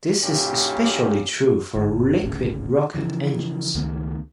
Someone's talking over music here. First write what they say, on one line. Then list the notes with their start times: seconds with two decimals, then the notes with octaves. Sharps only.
This is especially true for liquid rocket engines.
0.22 B1 G2 A#2 C#4 G4
1.76 G1
2.23 D1 G#1 A2 C#3
2.94 C#3 E3 F3
3.75 C#2 D#3 A3 B3